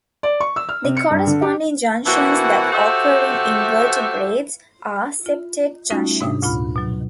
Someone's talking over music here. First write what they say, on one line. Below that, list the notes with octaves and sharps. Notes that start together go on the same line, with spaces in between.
The corresponding junctions that occur in invertebrates are septate junctions.
D5
C#6
E6
F6
C3
C#7
G2
D3
G4
B2 E3 A#3 C4 F#4
F#4 G4 A4 C5 E5
F4
G3 A3 C#4 D#4 F4 F#4
G#2 C3 D4 D#6
D2 A#2 F4 B5 F6
B2 F#3